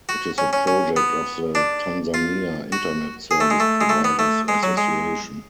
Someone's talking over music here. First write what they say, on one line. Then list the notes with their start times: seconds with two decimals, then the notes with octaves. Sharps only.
It is a project of the Tanzania Internet Service Providers Association.
0.09 F#4
0.38 C#4
0.53 C#4
0.67 C#4
0.96 B3
1.55 D4
2.14 F4
2.72 F#4
3.31 G#4
3.40 A3
3.50 G#3
3.60 A3
3.81 G#3
3.89 A3
4.04 B3
4.19 A3
4.48 G#3
4.63 F#3
4.77 G#3